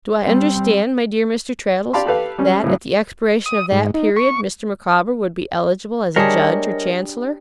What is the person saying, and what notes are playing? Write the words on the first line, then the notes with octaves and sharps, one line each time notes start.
'Do I understand, my dear Mr. Traddles, that, at the expiration of that period, Mr. Micawber would be eligible as a Judge or Chancellor?'
G3 C4
G4 D5 F5 A5 B5 C6
G4 A4 B4 F5
G3 C#4
A2 C#3 F#3
D#6
G#2
D#4
C#6
G3 D4 G#4 A#4 C#5 D#5